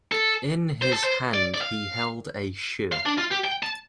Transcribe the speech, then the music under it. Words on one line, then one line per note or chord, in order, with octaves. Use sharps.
In his hand he held a shoe.
A4
C5
A4
C5
D5
D5
F5
F5
D4
F4
G4
G5
A5